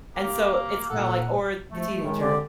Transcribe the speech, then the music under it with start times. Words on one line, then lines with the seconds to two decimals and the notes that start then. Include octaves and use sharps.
And so, it's kinda, like or the teenager
0.16 A#3 G4 F5
0.90 A#2 A4 F#5 A#5
1.71 F3 A3
1.92 G3
2.03 A2 D#3 G#3
2.20 D3 C4 G4 D5